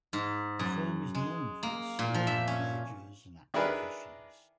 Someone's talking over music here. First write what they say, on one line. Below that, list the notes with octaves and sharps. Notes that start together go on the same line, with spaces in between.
The firm is known for its skill in mergers and acquisitions.
G#2
F#2
G#3
A#3
A#2
F3
E5
C#4
D#3 D4 E4 G#4 A#4 B4